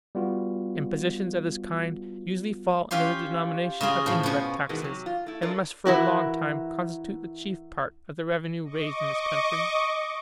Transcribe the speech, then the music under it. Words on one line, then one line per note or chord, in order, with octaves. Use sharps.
Impositions of this kind usually fall under the denomination of indirect taxes, and must for a long time constitute the chief part of the revenue raised in this country.
G3 B3 F4 F#4
C#4 F4 G4 C6
C#3 F4 G#4 D#5
A2 F3
B2 C#4
B2 D#3 E3 G#3 B3
C3 F#3
F4
A3 E4
D4 F4 A4 A#4 C#5 D5
E3 E4 F#4 A#4
D#5 C#6 D6